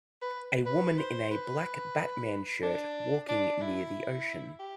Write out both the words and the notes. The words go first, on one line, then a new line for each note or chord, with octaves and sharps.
A woman in a black Batman shirt walking near the ocean.
B4
B4
C5
B4
D4
D4
E4
G4